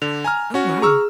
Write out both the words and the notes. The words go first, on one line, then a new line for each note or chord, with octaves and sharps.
Oh, wow.
D3 F7
G#5 A#5 F6
C#4 F#4
G#4 A#5 C#6 E6 F6